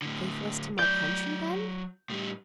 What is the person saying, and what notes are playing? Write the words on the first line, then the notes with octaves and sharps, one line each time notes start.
"Faithless to my country then?"
A2 D3
F#3 D5 G6
A2 G3